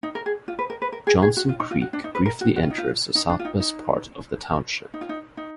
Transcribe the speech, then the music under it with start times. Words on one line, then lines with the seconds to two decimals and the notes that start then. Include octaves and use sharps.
Johnson Creek briefly enters the southwest part of the township.
0.03 D#4
0.15 A#4
0.26 G#4
0.48 F4
0.59 B4
0.70 A#4
0.82 B4
0.92 A#4
1.07 G#4
1.22 G#4
1.37 F#4
1.49 F4
1.60 D#4
1.71 F4
1.81 F#4
1.93 D4
2.04 D#4
2.15 B4
2.26 A#4
2.41 F#4
2.56 F#4
2.63 F4
2.70 D#4
2.78 F4
3.15 D#4
3.30 D4
3.39 F4
3.45 D#4
3.60 D#4
4.94 D#4
5.01 F4
5.09 D#4
5.37 D#4